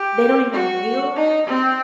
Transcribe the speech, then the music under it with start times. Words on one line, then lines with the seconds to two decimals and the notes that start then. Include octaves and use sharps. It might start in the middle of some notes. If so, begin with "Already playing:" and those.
they don't even realize
Already playing: G4
0.53 F#4
1.16 D#4
1.47 C4